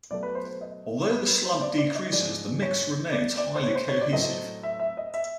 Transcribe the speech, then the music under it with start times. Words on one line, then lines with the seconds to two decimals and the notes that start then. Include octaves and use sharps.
Although the slump decreases, the mix remains highly cohesive.
0.11 B2 F#3 A3 D5
0.23 B4
0.35 C5
0.61 D#5
1.11 B4
1.28 B4
1.45 C5
1.61 D5
1.78 D5
1.95 D#5
2.12 G#2 F3 G#3 D5
2.62 C#5
3.12 D5
3.37 D5
3.55 C5
3.63 C#5
3.75 C5
3.88 C#5
4.01 D5
4.13 A2 F#3 A3 C4 D#5
4.63 E5
4.80 E5
4.97 D#5
5.14 E5